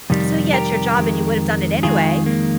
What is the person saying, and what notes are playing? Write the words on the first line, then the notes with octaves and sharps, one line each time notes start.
so yeah, it's your job and you would have done it anyway,
F2 C3 D#3 G3
G4 A#4
F2 D#3 G#3
F2 D#3 G#3 F4 G#4
A#3